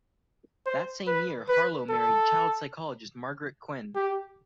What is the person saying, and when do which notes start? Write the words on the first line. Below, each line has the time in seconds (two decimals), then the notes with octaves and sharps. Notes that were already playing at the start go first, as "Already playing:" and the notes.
That same year, Harlow married child psychologist Margaret Kuenne.
0.66 C5
1.07 B4
1.49 B4
1.90 A4
3.95 G4